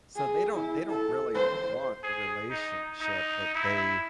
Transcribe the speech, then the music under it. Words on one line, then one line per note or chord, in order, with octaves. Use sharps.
So, they don't they don't really want a relationship, but they
G#4
E4
A4
C5
G#4
D#4
D#4
E4